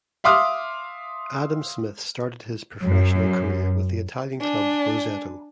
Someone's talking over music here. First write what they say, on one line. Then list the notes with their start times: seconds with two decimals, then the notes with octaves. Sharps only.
Adam Smith started his professional career with the Italian club Roseto.
0.24 E5 F5 C6 D6 D#6 F6
2.82 F#2
4.40 D4 G#5